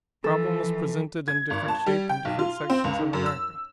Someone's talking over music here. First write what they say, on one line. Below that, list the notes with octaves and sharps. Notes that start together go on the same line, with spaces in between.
The problem was presented in different shape in different sections of America.
E3 F3 A4
G#6
G#1
A5
G3
G5
B1
F4
C4
C#2
D#3
F#2
E6